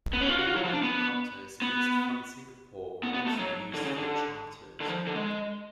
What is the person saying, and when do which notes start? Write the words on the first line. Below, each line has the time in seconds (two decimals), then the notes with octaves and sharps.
Bell Helicopters leased from Singapore were also used for charters.
0.13 B3
0.21 C#4
0.29 F4
0.39 F#4
0.47 F4
0.56 F#3
0.64 F3
0.74 D4
0.83 B3
1.62 B3
3.03 B3
3.14 B3
3.26 A3
3.39 F#3
3.74 D3
3.85 C#3
3.98 D3
4.80 D3
4.89 F3
5.07 D3
5.15 G#3